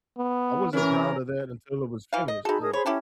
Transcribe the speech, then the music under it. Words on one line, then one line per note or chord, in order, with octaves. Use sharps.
I wasn't proud of that until it was finished, like
B3
E3 C#4 A#4
E3 F5
D#5
D#4 F#4 G#4 A4 B5
G#4 A#4 D#6
G#4 C5 C#5 B5
C#4 E4 G4 A4